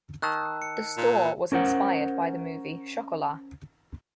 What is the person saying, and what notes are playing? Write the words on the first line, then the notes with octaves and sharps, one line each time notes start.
The store was inspired by the movie "Chocolat".
D#3 A5 E6 F#6
C#7
A#2
C#4 A#4 C5 F#5